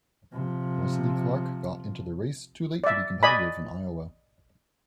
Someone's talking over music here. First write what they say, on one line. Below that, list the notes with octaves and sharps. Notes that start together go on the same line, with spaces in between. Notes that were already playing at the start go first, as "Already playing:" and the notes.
Wesley Clark got into the race too late to be competitive in Iowa.
C3 F3
D5 E5
D5 D#5 G#5 B5